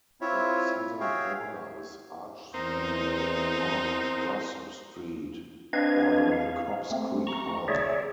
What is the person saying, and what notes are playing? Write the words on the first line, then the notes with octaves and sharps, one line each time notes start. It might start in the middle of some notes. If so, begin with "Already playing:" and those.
The southern border is Arch Street at North Gross Street, bordering Cobbs Creek Park.
C4 E4 F4 C#5 E5
F#4 G#4 C#5 E5 F5 G5
E2 C4 D#4 A#4 C5
C4 D4 B4 D#5 F5 G#6
F5
A3 C4
A#5 C#6
G#4 C#5 D5 E5